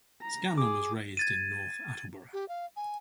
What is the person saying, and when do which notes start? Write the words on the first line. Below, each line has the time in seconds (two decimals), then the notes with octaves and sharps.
Scanlon was raised in North Attleborough.
0.22 A#5
0.58 G#4 D6
1.17 G#6 A6 D#7
2.33 G4
2.48 F5
2.76 G#5